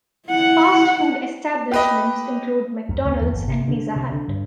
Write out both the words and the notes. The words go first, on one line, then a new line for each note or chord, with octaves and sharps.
Fast food establishments include McDonald's and Pizza Hut.
E4 F#5
G4 B4 D#5
F#2
D2
E2
G1
C3
D3
C3
D3
G2